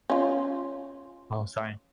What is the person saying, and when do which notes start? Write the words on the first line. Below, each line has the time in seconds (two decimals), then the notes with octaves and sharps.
Oh, sorry.
0.10 C#4 F4